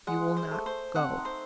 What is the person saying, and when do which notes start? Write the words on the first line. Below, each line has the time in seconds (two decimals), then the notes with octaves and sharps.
You will not go?'
0.07 G#3 F#5
0.37 C5
0.51 A3
0.66 C5
0.96 C4 F#5
1.18 D#4
1.25 C5